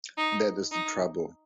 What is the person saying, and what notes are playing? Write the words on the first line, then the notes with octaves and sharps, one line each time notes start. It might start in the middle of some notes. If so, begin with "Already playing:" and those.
That is the trouble.
D#4
D#4